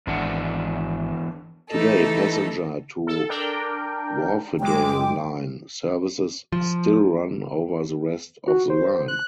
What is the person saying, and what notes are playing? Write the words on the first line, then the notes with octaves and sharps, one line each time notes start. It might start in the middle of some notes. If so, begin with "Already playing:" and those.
Today passenger to Wharfedale line services still run over the rest of the line.
G#1 E2 D4 F#5
E3 A3 D#4 A4
A4
D4 A#4 G5
F#2 G#3 G5 D6
F3
F#4
C5
F#6